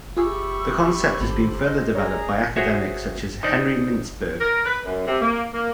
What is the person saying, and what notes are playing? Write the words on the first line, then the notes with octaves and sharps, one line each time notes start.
The concept has been further developed by academics such as Henry Mintzberg.
F4 G4 G#4 E5 B5 C#6 E6
G4
G#1 A4 C5 B5
D#5
G#4 C#5 D5 A#5
F#4 G#4 C5 C#5 E5
D#4 C5 D5
A#4
B4
F#2
C3
A#3
A#3